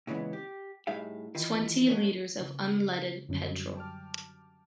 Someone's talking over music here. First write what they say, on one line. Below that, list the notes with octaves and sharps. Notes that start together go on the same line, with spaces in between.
Twenty liters of unleaded petrol.
A#2 C#3 E3 G#3 B3
G4
A2 G3 D#4 G#4 E5 F5
D#3 E3 F4
F#3 G#3 A3 C#4
C#3
F#2 D3 F#3 G3 C#4
G5 A5 D6 F6